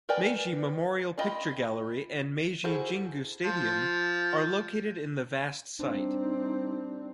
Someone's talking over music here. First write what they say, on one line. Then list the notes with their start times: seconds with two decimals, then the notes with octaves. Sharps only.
Meiji Memorial Picture Gallery and Meiji Jingu Stadium are located in the vast site.
0.09 A#4 B4 D5 G5 G#5
1.18 D4 F4 D#5 G5 B5
2.64 E4 F#4 G#4 A4 C5
3.45 F3
5.79 G3 C4 D4 D#4